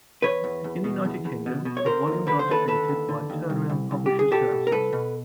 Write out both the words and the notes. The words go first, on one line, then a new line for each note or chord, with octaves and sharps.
In the United Kingdom, the volumes are distributed by Turnaround Publisher Services.
E2 B4 C#5
E2
E2
B2
E2
E2
B2
B2
C#5
D3 A#4 C5
D#2
D3 B4
C5
D#2 A4 B4
D3 A4 B4
D#2
D3
D#2
C2
C2
C2
C2 G4
G#4
B2 G4 A4
B2
A#4
C2 A4 B4
B2